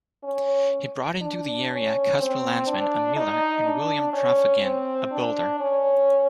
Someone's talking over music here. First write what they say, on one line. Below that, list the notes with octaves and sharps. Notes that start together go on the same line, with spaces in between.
He brought into the area Casper Landsman, a miller, and William Traphagen, a builder.
C#4
D4
C#4
C4
D4
D#4
D4
C#4
C4
D4
C#4